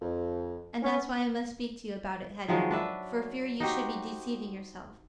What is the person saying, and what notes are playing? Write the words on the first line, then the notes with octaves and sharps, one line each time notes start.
And that's why I must speak to you about it, Hetty, for fear you should be deceiving yourself.
F2
C#4
D#3 F3 F#3 G#3
D4 B4 E5
D#4 F#4 G4 C5